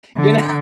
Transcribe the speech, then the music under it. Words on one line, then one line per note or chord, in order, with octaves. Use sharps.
you know?
D3